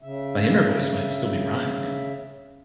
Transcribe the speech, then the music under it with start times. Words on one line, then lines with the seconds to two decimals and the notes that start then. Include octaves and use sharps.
my inner voice might still be rhyming it.
0.02 C#3 E5